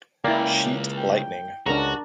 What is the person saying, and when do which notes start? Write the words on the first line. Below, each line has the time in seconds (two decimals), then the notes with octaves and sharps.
Sheet lightning.
0.24 C#2 A#3 E4 D5 G5
0.97 G5
1.66 C#2 D4 F#4 A#4 A#5